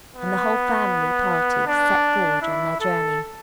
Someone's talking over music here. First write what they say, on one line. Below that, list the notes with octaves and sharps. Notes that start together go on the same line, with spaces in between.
And the whole family party set forward on their journey.
B3
D4
E4
A4